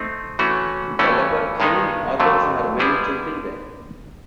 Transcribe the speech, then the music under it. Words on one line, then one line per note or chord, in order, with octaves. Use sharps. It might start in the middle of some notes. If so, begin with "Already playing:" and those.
The Leper Queen orders her men to kill them.
Already playing: A3 C4 D#4
E3 A3 C#4 F#4
G2 E3 A3 C#4
G2 D#3 G#3 B3 D#4
F2 D3 F#3 A3
D3 G3 B3 E4 G#4